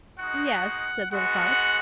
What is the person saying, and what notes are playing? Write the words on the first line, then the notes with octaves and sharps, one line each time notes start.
'Yes,' said Little Klaus.
G#3 D#4 F#4 F#5
G#3 B3 F#4 F#5